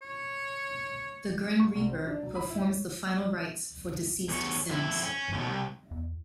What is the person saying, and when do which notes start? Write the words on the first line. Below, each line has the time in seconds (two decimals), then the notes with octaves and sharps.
The Grim Reaper performs the final rites for deceased Sims.
0.02 C#5
1.60 C#6
1.75 C2
1.88 C4
2.07 D4
2.23 F#3
2.35 B5
2.50 E4
2.61 C#5
4.28 E2 C#5
4.69 F2 E4
5.04 C#4
5.33 D#2 B2
5.46 C2
5.91 E2